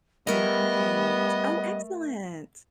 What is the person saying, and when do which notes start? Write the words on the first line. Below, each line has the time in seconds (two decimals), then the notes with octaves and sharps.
Right. Oh, excellent!
0.27 G3 A3 B3 A#4 D#5 E5